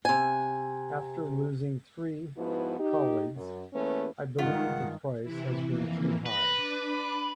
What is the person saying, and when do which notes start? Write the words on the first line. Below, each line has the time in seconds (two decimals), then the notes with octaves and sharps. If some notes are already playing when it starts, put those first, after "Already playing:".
After losing three colleagues, I believe the price has been too high.
0.05 C3 G#5
2.37 G#2 F3 B3 E4 F#4 B4
2.79 D#4 G4
3.36 F#2
3.74 E2 A3 A#3 C#4 B4
4.39 G2 D#3 G#3 F4 F#5
5.23 C3 E3 E4
5.66 F2 E3 A#3
6.26 B4 A#6
6.56 D4 D6